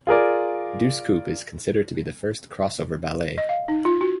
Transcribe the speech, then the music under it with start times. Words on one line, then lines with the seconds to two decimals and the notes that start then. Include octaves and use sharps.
"Deuce Coupe" is considered to be the first crossover ballet.
0.07 F4 G#4 A#4 D5
3.38 D#5
3.49 F5
3.68 D#4
3.85 F4
4.01 F#4